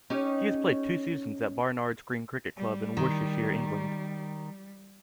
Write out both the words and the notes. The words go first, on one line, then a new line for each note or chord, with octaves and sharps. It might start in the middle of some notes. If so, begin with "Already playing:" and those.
He has played two seasons at Barnards Green Cricket Club in Worcestershire, England.
C#4 D#4 G4
G3
D#3